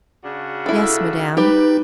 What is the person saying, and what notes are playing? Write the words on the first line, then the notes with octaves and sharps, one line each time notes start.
"Yes, Madame."
C#3 D4 F#4
E4 A4
G3 D#4 G4 B4